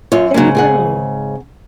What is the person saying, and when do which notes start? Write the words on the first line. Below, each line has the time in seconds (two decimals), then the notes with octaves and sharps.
There you go.
0.12 F#2 F4 C#5
0.34 G#2 C#3 F#3 A#3
0.55 C4 G#4 F#5